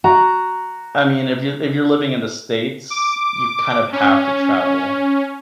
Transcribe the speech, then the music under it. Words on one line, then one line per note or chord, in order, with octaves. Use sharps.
I mean, if you're if you're living in the states, you kind of have to travel
F#4 A#5
D6
C#4
C#4